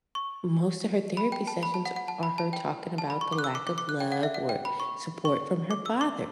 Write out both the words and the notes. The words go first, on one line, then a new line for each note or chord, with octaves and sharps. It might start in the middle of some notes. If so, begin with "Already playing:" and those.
most of her therapy sessions are her talking about the lack of love, or support, from her father.
C#6
B5
G5
A5
B5
A5
F#5
F#5
A5
B5
A5
G5
A5
B5
C#6
D6
F#6
E6
D6
D6
D6
F#6
G5
F#5
E5
F#5
G5
B5
C#6
C#6
D6
E6
D6